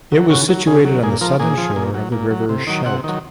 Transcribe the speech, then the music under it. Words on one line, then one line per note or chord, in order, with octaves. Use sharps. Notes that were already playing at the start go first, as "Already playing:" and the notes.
It was situated on the southern shore of the river Scheldt.
F#3
C#3 F#4
F#3
C#3 G#4
F#3
A#2 G#4
F3 A#4
A#2 G#4
F3
A#2
F#3
A#2
F#3
C3
D#3 F#3
C3 F#5
D#3 F#3